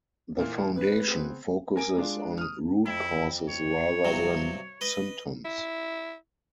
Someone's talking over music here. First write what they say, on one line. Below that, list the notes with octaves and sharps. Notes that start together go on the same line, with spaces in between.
The Foundation focuses on root causes rather than symptoms.
A#2 E3 A#3
G#1 B4
B3 C4 G#4
A#4 G#5 D7
G#3 D4 F4
D#6 F6
F2 E4
C#5
G2 C3 F#3
B4 D#5
E4